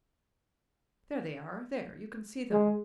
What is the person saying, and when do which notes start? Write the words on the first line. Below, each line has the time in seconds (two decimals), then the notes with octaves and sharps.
"There they are, there... you can see them."
2.52 G#3